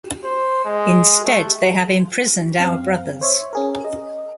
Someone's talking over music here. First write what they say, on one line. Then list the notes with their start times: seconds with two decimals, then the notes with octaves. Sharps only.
Instead they have imprisoned our brothers.
0.24 C5
0.65 G#3
1.25 A3
2.58 F#2 C4 F5
3.21 C5 C#5 E5
3.53 C#4 G#4 A#4
3.85 D#5